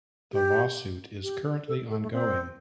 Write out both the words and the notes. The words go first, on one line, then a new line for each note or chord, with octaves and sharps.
The lawsuit is currently ongoing.
G4
G4
A4
A4
A3
C4